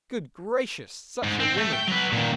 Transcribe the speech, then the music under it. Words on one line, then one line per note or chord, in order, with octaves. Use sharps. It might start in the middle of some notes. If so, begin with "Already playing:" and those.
Good gracious, such a woman!'
G#2
C4
A3
G5
F#3 B4
A#2 D#3